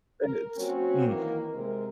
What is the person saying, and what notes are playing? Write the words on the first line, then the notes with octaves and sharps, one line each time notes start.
And it's mm.
A#4
F#3 A#3 C4 C#4 F#4
D#3 E3 A#3
C3 G#3 A#4